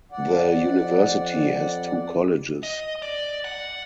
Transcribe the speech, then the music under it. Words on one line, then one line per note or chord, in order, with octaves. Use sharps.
The university has two colleges.
F2 D5 F#5
D#5
D5
F#5